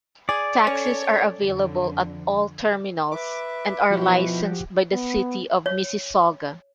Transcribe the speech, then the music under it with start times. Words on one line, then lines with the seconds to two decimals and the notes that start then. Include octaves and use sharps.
Taxis are available at all terminals, and are licensed by the City of Mississauga.
0.29 G#4 D5
0.67 C#4 A4 C#5
1.41 F2 D3
3.12 B4 E5 D6
3.90 B2 F3 E4 F#4 G4
4.93 B3
5.66 C#5